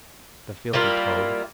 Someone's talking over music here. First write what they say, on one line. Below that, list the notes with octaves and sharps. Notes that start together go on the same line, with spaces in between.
The filthy toad... .
G3 A#3 E4 F4